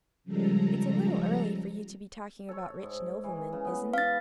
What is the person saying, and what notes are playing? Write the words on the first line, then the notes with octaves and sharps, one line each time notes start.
"It's a little early for you to be talking about rich noblemen, isn't it?"
C#3 F3 G3 G#3 A4 A#5
A4 C#5
G#2
E3
C#3
B3
F5 A6